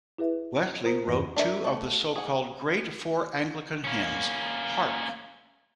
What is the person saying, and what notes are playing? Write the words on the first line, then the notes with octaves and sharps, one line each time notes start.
Wesley wrote two of the so-called Great Four Anglican Hymns: Hark!
E4 G#4 B4 E5
F4 A#4 C5 A#5 D#6
E2 G2 E3 A#3 D#5 A#6
D4 A#4 E5
A3 F#4
G#4 F#5
A#3 C#4